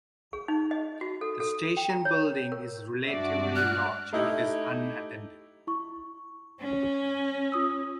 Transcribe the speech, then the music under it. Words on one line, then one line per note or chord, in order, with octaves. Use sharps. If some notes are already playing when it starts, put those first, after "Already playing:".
The station building is relatively large, but is unattended.
G#4
D#4
D#5
F#4
A4
A4
G5
A#5
C#5
A#4
G2 G#3 D4 F#4 D5 E5
F6 F#6
A3 D#4 E4 G4 D#5
E4 C#6
C#4
F4 D#6 E6